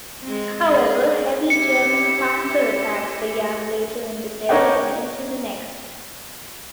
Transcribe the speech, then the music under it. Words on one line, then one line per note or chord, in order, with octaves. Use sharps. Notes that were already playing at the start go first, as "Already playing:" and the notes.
However, heavy German counterattacks began later in the day and into the next.
G#3 C4
G#4
E4 G4 C#7
D4 A#4 C#5 D#5 F#5 G5